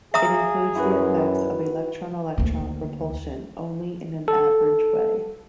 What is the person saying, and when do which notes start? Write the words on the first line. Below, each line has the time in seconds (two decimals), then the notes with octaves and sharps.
It includes the effects of electron-electron repulsion only in an average way.
0.14 G#4 E5 F5 A#5 D#6
0.75 F#2 E4 F#4 B4
2.38 D2 A#3
4.28 A4